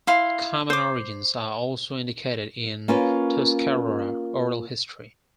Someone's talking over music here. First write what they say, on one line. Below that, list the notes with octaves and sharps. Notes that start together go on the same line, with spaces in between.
Common origins are also indicated in Tuscarora oral history.
E4 F5 C6
C5 D6
A#3 C#4 F4 A#4 B4